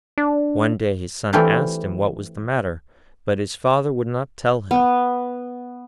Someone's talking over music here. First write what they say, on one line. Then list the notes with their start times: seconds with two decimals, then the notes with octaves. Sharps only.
One day his son asked him what was the matter, but his father would not tell him.
0.18 D4
1.33 E3 A3 C4 F4 G4 D5
4.71 B3